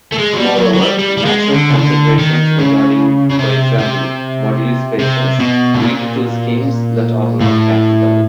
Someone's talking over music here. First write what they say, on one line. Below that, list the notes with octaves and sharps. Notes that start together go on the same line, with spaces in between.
Moreover, natural considerations regarding, for example, moduli spaces, lead to schemes that are "non-classical".
A3
G#3
F#3
G3
F#3
F#3
G3
G3
G3
G#3
D3
C#3
D3
D#3
C#3
C#3
C3
C3
C3
B2
A2
A#2
A2